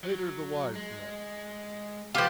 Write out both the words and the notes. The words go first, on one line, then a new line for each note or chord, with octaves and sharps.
Later the wives met.
F#3
G#3
F3 F4 G4 B4 G6